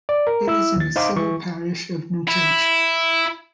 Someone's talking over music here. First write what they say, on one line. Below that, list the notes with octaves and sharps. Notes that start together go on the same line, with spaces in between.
It is in the civil parish of Newchurch.
D5
A#4
E4 E6
D#2 A6
D#4 C5 F5 G5 D6
E3 C#6
E4